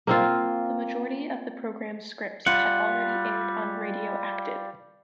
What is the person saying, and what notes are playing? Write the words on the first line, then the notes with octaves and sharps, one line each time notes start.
The majority of the programme's scripts had already aired on "Radio Active".
A#3 C4 F4
G3 F4 F#5